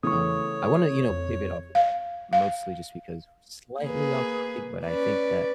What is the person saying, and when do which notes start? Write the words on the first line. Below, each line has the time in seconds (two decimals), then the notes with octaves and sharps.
um I wanna, you know, pivot off of that mostly just because we're slightly off topic, but I think that,
0.03 C#3 E3 A3 C#5 C#6 D#6
1.10 F2
1.75 F5
2.33 F5
3.81 A#3 G#4 B4
4.86 C#4 B4 D5